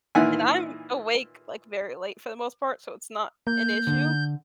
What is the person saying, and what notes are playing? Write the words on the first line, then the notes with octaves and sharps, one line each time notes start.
and I'm awake, like, very late for the most part, so it's not an issue,
A#2 D#3 E3 E5 F#5 G#5
A#3 G6
D3